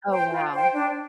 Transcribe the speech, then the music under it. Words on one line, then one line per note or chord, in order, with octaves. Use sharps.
Oh, wow.
C5 G5
F4
C5 G5
D4